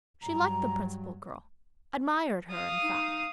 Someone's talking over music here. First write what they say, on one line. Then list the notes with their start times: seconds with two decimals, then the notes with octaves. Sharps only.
She liked the Principal Girl--admired her, in fact.
0.22 G2 F#3 A#5
2.51 F5 D#6
2.83 D#4